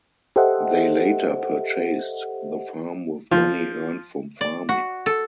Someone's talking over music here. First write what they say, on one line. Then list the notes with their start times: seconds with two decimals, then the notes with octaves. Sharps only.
They later purchased the farm with money earned from farming.
0.36 G4 A4 C5 D#5 E5 F#5
3.31 F3
4.41 D5
4.69 F#4
5.06 A4